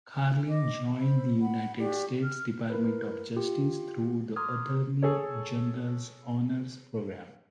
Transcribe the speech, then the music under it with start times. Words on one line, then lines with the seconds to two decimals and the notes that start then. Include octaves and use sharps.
Carlin joined the United States Department of Justice through the Attorney General’s Honors Program.
0.48 D#5 D6
0.98 C5 B5 E6
1.42 F#5 B5
1.79 D#4 F#4 G4 D5
2.22 F6
2.70 E4 A#4 B4
3.37 F4 G4
4.36 A#5 C6 D6 D#6 F6 G#6
5.02 G#4 A4 C#5